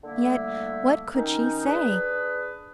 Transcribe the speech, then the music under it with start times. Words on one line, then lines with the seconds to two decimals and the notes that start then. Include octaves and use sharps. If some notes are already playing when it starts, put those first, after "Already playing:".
Yet what could she say!
0.04 D3 G3 A3 A#3 E4
1.15 D#3 C#4 D#4
1.65 D4 G#4 B4